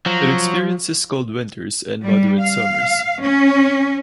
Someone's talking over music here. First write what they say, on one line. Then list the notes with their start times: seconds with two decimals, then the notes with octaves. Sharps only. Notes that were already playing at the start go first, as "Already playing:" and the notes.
It experiences cold winters and moderate summers.
0.06 F3 F#3
2.04 G3
2.41 F5
3.21 C#4